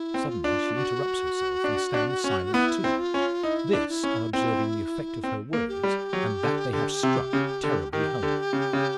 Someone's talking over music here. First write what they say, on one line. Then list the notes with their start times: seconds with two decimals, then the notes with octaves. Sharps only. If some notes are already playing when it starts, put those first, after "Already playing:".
Suddenly she interrupts herself, and stands silent too--this on observing the effect of her words, and that they have struck terribly home.
Already playing: E4
0.14 C4
0.29 F4
0.44 D4
0.75 F#4
1.64 D4
1.94 D4
2.24 C#4
2.53 B3 E4
2.84 C4
2.99 F4
3.14 C#4
3.43 D#4 E4
3.73 D4
3.89 E4
4.03 C#4
4.33 C4 E4
5.24 C4
5.53 A#3
5.68 G4
5.83 G3
6.13 F#3
6.43 D3
6.73 D3
7.03 C3
7.33 C#3
7.63 D3
7.92 D#3 G4
8.23 D3
8.53 C#3
8.73 C#3